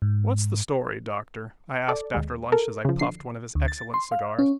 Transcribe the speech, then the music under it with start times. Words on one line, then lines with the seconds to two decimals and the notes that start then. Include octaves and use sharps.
"What's the story, Doctor?" I asked after lunch as I puffed one of his excellent cigars.
0.02 G#2
1.88 A4 D5
2.14 D#2 G#3
2.52 A4 A#4
2.85 C#3 F3
2.99 D3 C7
3.55 D2
3.68 A6
3.94 C6
4.12 F5
4.39 C#4